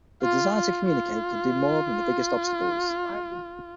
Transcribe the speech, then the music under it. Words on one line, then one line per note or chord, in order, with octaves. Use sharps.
The desire to communicate can do more than the biggest obstacles.
F4
F4
F4